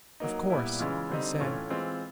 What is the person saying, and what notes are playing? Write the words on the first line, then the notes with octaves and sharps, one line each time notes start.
"Of course," he said.
F#3 A#3 D#4
A#2 G3 B3 E4
C#3 E3 G#3 C#4 F4
D3 G3 C4 D#4
A2 E3 A3 C#4 F4
E3 G#3 C4 F4